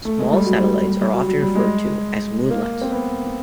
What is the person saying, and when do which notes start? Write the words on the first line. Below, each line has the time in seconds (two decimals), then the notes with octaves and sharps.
Small satellites are often referred to as moonlets.
0.05 A3
0.19 G#3
0.32 G3
0.46 F#3
0.60 G3
0.74 G3
0.87 G3
1.01 G3
1.14 F#3
1.28 F#3
1.42 G3
1.55 G#3
2.51 A#3
2.81 C4
2.92 B3